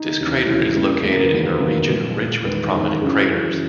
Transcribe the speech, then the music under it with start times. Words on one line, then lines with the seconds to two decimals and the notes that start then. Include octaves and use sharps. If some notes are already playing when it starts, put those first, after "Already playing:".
This crater is located in a region rich with prominent craters.
Already playing: D#4
0.17 D#2 C#3 E3
0.45 D#2 C#3 E3 E4
0.74 E2 C#3 E3 A#3
1.02 E2 C#3 E3 A#3 G#4
1.12 A#4
1.22 B4
1.31 E2 D#3 F#3 A#3
1.60 E2 D#3 F#3 A#3 B4
1.88 A#2 G#3 B3
2.16 A#2 G#3 B3
2.45 E2 D#3 G#3 B4
2.74 E2 D#3 G#3
3.01 F#2 C#3 E3 G#4
3.31 F#2 C#3 E3